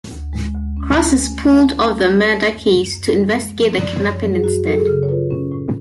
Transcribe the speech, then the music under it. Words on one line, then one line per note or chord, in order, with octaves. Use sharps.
Cross is pulled off the murder case to investigate the kidnapping instead.
D2
G#3
D2
C#4
C#4
A3 G#5
A3
F5
C#4
A3
A3
C#5
A3
F#2
F#2
F#2
G#3
G#3
F3
F#2 D5
F#2 C#5
F#3
G#4
F#2 F#4
F#3 A4
G#4
C#3
C#5
F4 B4
C#4
A2